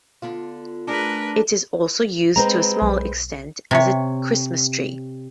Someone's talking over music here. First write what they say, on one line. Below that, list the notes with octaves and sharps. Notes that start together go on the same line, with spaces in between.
It is also used to a small extent as a Christmas tree.
D3 B3 D4 F4
A3 D4 G#4 A#4 B4
G#3 C4 B4 A#5
B1
C3 C#5